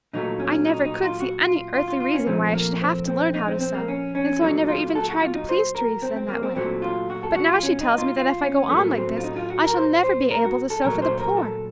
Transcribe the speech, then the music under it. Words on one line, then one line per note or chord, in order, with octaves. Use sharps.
I never could see any earthly reason why I should have to learn how to sew, and so I never even tried to please Teresa in that way. But now she tells me that if I go on like this I shall never be able to sew for the poor.
A#2 F#3 A3 D#4
C#4
D#4
D#4
F4
F#4
F4
F4
F4
F4
C#4
A#2 F3 A3 C4
A#3
C4
C4
D#4
C4
C4
A#3
C#4
C#4
A#2 F#3 A3 D#4
F4
A4
F#4
F4
D#4
C5
A#4
C4
C4
A#3
C4
A#2 F#3 A3 C4
F4
F#4
A4
F#4
F4
C#4
D#4
F4
F4
C#4
A2 F#3 A3 A#3
C4
F4
D#4
F4
F#4
A#4
C5
C5
A#4
F#4
A4
A#2 F#3 A3 A#4
C5
A#4
A4